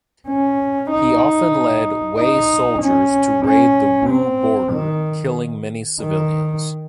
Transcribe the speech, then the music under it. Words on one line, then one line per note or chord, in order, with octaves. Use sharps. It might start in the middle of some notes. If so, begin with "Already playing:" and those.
He often led Wei soldiers to raid the Wu border, killing many civilians.
C#4
D#4
D#4
C#4
C#4
C4
D#3
D#3